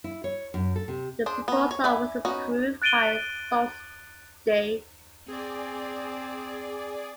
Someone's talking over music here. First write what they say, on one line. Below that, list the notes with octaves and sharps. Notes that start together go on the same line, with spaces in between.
The proposal was approved by Sault Ste.
E4
C#5
F#2
A4
C3
D4 G#4 C5
B3 A#5
C#5
B4 D5 E5 G#5
B3 C#4 D#4 F#4
F#6 A6 D7 D#7 G7
C4 G#4 D5